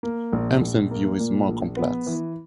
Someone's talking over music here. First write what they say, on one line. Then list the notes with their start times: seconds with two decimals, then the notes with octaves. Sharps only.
Empson's view is more complex.
0.03 A#3
0.33 A#1
0.61 A#1
0.91 A#3
1.19 A#2
1.49 A#1
1.77 B3
2.06 E3